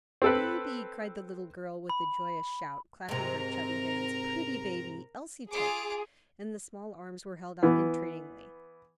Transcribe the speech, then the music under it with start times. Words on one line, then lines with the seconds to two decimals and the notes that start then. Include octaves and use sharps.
"Baby!" cried the little girl, with a joyous shout, clapping her chubby hands, "pretty baby Elsie take"; and the small arms were held out entreatingly.
0.22 C4 A4 B4
1.90 B5
3.09 G#2 C3 A#4 A#5
5.51 F4 G#4 D6
7.63 E3 B3